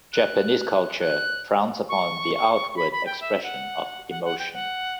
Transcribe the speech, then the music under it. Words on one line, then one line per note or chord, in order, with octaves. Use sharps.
Japanese culture frowns upon the outward expression of emotion.
F#6
F#6
C#6
C#6
B5
B5
G5
E5
F#5
F#5
F#5
G5
F#5